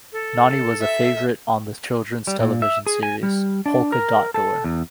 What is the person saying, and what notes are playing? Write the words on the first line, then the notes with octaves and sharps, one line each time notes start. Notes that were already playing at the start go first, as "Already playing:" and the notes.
Nonnie was a favorite on the children's television series, Polka Dot Door.
A4
E5
G3
A#2
E5
G#4
G#5
G3
D4
A#4
A4
E2